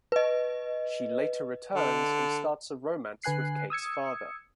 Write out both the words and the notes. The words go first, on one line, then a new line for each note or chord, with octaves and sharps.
She later returns and starts a romance with Kate's father.
B4 D#5
D3
D3 B4 G#5 F#6 C7
D#6 E6 G#6 C#7